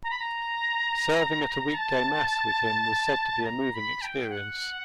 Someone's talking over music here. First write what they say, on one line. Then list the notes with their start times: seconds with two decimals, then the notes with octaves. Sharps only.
Serving at a weekday mass with him was said to be a moving experience.
0.04 A#5
0.11 B5
0.20 A#5
1.74 A5
3.44 A#5
3.73 B5
4.01 G5
4.30 F#5